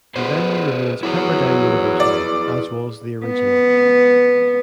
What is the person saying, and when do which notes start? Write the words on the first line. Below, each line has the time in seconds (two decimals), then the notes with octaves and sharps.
The venue remains Pepperdine University, as was the original.
0.16 B3 G#4 B4 C5
1.03 F#3 E4 G#4 B4
2.00 D5
3.26 B3